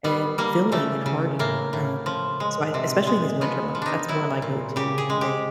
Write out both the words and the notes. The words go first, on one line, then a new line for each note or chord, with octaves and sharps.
and filling and hearty, um, so, I especially in these winter months, that's one of my go-tos to make,
G3 B3
G3 A#3
C#3 A3
C#3
A2 A#3
A2
F3
G#3
C3
G#3
F3 B3
F3
D4 D#4
F#3 E4
A#2
C#3 G4
G#4
G#3
G4